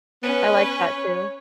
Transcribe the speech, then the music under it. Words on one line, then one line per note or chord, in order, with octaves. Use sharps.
I like that, too.
B3 C#4 B4
C#5